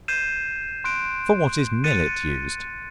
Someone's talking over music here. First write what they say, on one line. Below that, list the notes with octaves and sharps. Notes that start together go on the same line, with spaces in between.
For what is Millet used?
G6 G#6 C7 D#7 E7
C6 F#6 D7
F#6 A6 C#7 D#7